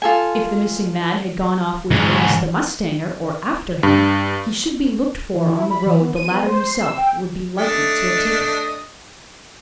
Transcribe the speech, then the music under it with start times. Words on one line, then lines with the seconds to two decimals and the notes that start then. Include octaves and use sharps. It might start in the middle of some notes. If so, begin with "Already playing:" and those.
If the missing man had gone off with Maurice the mustanger, or after him, he should be looked for on the road the latter himself would be likely to have taken.
0.02 F4 A4 G#5
1.91 G#2 E3
3.83 G2
5.35 E3
5.50 E4
5.70 B5
5.86 E3
6.01 B3
6.16 D#7
6.30 B3
6.46 C5
6.67 C7
6.80 E6
6.97 G5
7.58 A3 D4 D#5